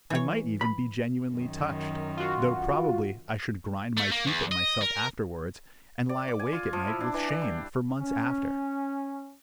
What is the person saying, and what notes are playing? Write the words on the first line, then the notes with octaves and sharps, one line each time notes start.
I might even be genuinely touched, though probably I should grind my teeth at myself afterwards and lie awake at night with shame for months after.
E3 C#5
B5
F#2 D#3
F4 F#4
A3
A#3
E2
D#5
A#4
D5
D6
G#5
F4
F3
E4
D4
E3
D4
G3
C#4